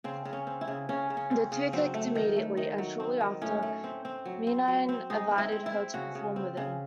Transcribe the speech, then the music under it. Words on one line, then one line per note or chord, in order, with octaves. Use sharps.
The two clicked immediately, and shortly after, Meine invited her to perform with him.
C#3 C4
C#3
C#4
C4
E4
C#3
C#3 C#4
C#3
C#4
C4
C#3
F#3 C4
A3
D#3
A3
D#3
F#3
C4
D#3
A2 C#4
A3
C4
C4
F#3
C4
F#3
C4
G#3 D#4
C4
E4
C4
E4
C4
C#3 F#4
C#3
C4
C#3